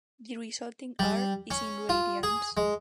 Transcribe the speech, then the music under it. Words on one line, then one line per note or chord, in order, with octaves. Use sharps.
The Resulting "R" is in radians.
G3
C#4
F4
G#4
G#3